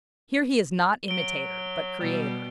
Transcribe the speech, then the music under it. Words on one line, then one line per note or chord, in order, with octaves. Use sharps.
Here he is not imitator, but creator.
F#3 D7 G7
B2 G3